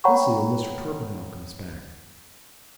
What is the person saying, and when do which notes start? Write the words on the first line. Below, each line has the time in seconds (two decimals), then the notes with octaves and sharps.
You'll see when Mr. Torpenhow comes back.'
0.04 C#5 F#5 G5 A#5 B5 C#6